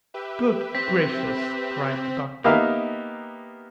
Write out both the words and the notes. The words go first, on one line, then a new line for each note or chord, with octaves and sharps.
"Good gracious!" cried the Doctor.
G4 B4 E5
C4 B6
A#3 B3 D#4 G4 E5 F5